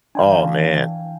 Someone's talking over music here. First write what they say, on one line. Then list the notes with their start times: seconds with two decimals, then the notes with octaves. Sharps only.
Oh, man.
0.15 E3 D4 F5 G5 G#5